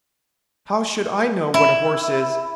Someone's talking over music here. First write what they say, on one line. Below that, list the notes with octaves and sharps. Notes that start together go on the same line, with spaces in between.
How should I know what a horse is?
E4